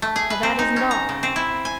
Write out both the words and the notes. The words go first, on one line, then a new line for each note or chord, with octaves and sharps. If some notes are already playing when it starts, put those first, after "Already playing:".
But that isn't all.
A3
G#4
B4
C4
D#4
C#4
A#5
C#3
C4
E4
G#5